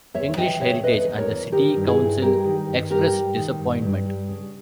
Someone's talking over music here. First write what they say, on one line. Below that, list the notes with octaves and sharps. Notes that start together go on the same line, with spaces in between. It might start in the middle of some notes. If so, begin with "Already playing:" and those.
English Heritage and the city council expressed disappointment.
E2 C#5 E5
E3 D#5 G5
C#3 C#5 E5
E2 B4 D#5
E2
A#4 C#5
E3
D#3 G4 A#4
G2
E4 G#4
G2
G3 G4 A#4
D#3
G2
G2 G4 A#4
G3
D#3
G2
G2
G3
C#3